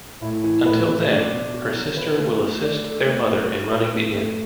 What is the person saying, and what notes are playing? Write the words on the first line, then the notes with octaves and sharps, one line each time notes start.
Until then, her sister will assist their mother in running the inn.
A2 E4
E3
A2 B4
A3
D4
B2
F#4
F#3
B4
A3
A3
D4
A4
A3
A3
F#4
A2 B4
A3
A3